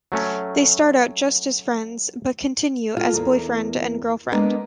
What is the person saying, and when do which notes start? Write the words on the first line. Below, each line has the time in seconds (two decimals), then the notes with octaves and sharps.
They start out just as friends, but continue as boyfriend and girlfriend.
0.12 F#3 A3 C#4
2.97 F4 A4
3.13 E2 A#3
4.32 G#3 A#3 B3 D4